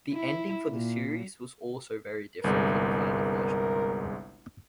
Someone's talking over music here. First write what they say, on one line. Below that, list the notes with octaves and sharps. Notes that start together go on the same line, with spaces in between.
The ending for the series was also very different from the final version.
E4
A#2
G1 C2 G#3 A#4